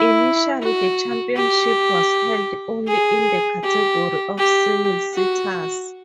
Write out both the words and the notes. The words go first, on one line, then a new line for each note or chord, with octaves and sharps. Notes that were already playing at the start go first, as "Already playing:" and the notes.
Initially the championship was held only in the category of single seaters.
Already playing: E4
F#4
G4
G#4
G4
G4
F#4